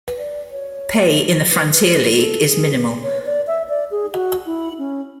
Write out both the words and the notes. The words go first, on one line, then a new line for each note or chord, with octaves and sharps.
Pay in the Frontier League is minimal.
D5
C#5
B4
B4
C#5
B4
A4
G#4
C#5
D5
E5
D5
G#4
F#4
E4
C#4